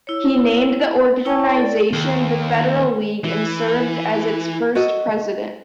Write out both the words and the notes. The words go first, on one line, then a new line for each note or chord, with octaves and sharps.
He named the organization the Federal League, and served as its first president.
E4 C#5
E4 C#5 G5 A5 C#6
A4 D5
D#2
E3
F#4 A4 D#5